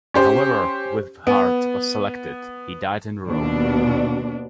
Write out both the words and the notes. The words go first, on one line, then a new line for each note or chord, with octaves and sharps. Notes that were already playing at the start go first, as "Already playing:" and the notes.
However Wighard was selected, he died in Rome.
C#4 G4 C5
B3
D#2 B2 D4